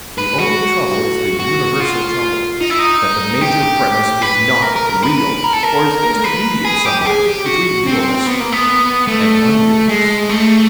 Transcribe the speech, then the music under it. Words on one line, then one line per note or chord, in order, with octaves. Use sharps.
The only trouble is the universal trouble: that the major premise is not real, or is intermediate somewhere between realness and unrealness.
B4
F#4
F#4
F4
D#4
E4
D#4
G4
B4
A#4
A#4
A#4
B4
A#4
A4
A#4
B4
G#4
G4
G4
G#4
G4
F#4
C4
B3
A#3
B3
A3
G#3
A3